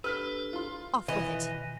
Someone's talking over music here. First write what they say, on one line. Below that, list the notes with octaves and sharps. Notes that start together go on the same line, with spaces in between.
Off with it.
D4 G4 A4 B4 E6 F6 B6
F4 C6
B2 D#3 E3 D#5